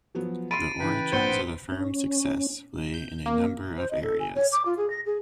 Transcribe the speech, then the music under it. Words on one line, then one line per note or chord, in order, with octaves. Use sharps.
The origins of the firm's success lay in a number of areas.
F3 F#3 B3
B5 C6 A6 C7 D7 D#7
C#3 E3 B4 G5 B5
A#1 B3 C4 C5 A6 C#7 G7
C#4
G6
A#3
C5
D#5
A4
G#5
C#5
D6
F4
G#4
A#6
G#4